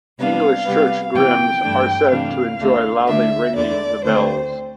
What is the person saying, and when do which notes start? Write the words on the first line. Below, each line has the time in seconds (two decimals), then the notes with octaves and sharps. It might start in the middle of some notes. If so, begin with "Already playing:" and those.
English church grims are said to enjoy loudly ringing the bells.
0.18 C3 G3 B3 D4 F5
0.65 C3 G3 B3
1.14 C3 E3 B3 G5
1.62 G2 E3 A3 D4
2.10 C3 E3 A3 D4 F5
2.59 D2 D3 A3
3.07 D2 D3 A3 D4 E5
3.55 E2 D3 A3 D5
4.03 D2 D3 A3 C4 C5